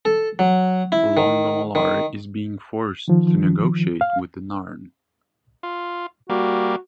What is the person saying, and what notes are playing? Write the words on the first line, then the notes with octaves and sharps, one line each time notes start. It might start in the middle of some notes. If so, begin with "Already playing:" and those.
Londo Mollari is being forced to negotiate with the Narn.
A4
F#3
E4
D#3
D#3
D#3 F3
F5
F4
G3 A#3 F#4